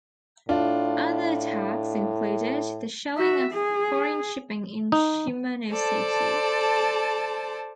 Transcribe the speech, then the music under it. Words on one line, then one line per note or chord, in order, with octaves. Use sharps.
Other attacks included the shelling of foreign shipping in Shimonoseki.
A2 D4 F4
F#4 E5
G#4
D#4
A4 C5 D5 A5